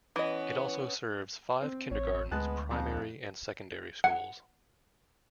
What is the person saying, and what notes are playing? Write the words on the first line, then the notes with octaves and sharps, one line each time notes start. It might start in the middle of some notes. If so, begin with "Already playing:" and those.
It also serves five kindergartens, primary and secondary schools.
E3 B3 C#4 D#5
C4
A1 C#5
D2 G#3 B3 A5 F#6
F2 G#2
F#5